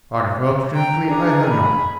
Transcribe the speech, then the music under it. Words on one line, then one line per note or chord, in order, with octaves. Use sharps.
"Unfortunately, I have not."
G5 A#5
D4 G#4
B5